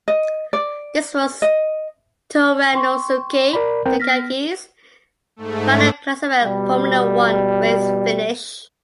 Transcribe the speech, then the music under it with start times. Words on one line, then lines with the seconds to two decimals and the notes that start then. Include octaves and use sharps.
This was Toranosuke Takagi's final classified Formula One race finish.
0.08 D#5
0.53 D5
1.42 D#5
2.73 G5 C6 C#6
3.53 A#4 D5 B5
3.86 C4 A#4 G5
4.00 B3 F6 A#6 B6
5.36 G#2 A3
6.43 B2 G3